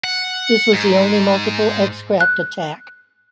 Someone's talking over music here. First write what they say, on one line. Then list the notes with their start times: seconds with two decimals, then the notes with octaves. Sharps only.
This was the only multiple X-craft attack.
0.04 F#5
0.74 G#2
2.21 F#6